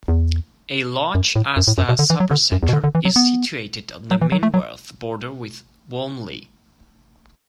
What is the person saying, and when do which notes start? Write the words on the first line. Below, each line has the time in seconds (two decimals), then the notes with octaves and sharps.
A large Asda Supercentre is situated on the Minworth border with Walmley.
0.08 E2
1.15 F#2
1.36 A2
1.57 F#2
1.68 A2
1.78 F#2
1.89 B2
1.99 D3
2.10 E3
2.20 F#3
2.31 D3
2.52 F#2
2.63 E2
2.69 B2
2.73 D3
2.84 D3
2.95 E3
3.05 F#3
3.16 B3
4.11 F#3
4.21 E3
4.32 F#3
4.43 A3
4.54 F#3